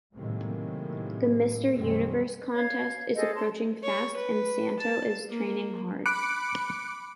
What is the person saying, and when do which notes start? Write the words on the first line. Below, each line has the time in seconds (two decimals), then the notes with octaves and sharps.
The Mr. Universe contest is approaching fast and Santo is training hard.
0.16 A2 C3 D#3 F#3 G#3 A#3
1.74 F#2 B2 D#3 G3 G#3 C4
2.53 C#5 F5 G#6
3.15 G#4 A4 C5 D#5
3.35 C#5 A5 C6
3.83 C#5
4.17 B4
4.79 A5
5.30 A#3
6.06 B5 D6 F#6 C#7 D7